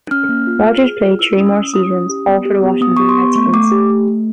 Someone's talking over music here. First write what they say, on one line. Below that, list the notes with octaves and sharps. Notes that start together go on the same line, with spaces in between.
Rogers played three more seasons, all for the Washington Redskins.
C#4 F6
A#3
F4
G#4
G#4
F4
E4 E6
C#4 D#6
E6
C#4
E4 D#6
C#4
G4
B3
G4
B3
B3 D#6
G4 C#6
C6
B3
A3 C#6
A3 D6
G4
A3
A3